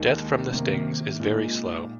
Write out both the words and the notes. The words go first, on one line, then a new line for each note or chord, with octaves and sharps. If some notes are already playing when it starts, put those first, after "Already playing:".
Death from the stings is very slow.
Already playing: D#2 D#3 G#3 D#4
C3 D#3 A#3
A#2 G#3 D#4